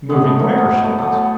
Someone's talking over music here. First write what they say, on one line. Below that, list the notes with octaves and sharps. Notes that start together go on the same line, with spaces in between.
"Moving where?" she asked.
A2 G#3 B3
A3
G#2 F#3
A3
B2 G#3 B3
A3
A2 F#3 A3
B3